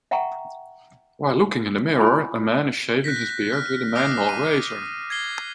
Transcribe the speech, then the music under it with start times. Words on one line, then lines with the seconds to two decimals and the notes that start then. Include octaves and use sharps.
While looking in the mirror, a man is shaving his beard with a manual razor.
0.11 E5 F#5 G5 A#5 C#6
1.99 E4 F4 G#5 B5
3.04 F#6 G6 A#6 B6
3.53 F6 F#6
3.95 D6 D#6 F6 F#6 A#6 C7
4.29 D#7
5.10 G#6 A#6 C7 G7